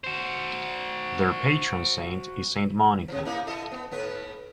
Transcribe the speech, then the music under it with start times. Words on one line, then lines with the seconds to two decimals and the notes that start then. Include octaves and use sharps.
Their patron saint is Saint Monica.
0.04 F#4 C5
3.08 C3 E3
3.25 A#3 D#4 E4
3.47 E4 A4 D#5
3.71 B3
3.91 G#2 B3 B4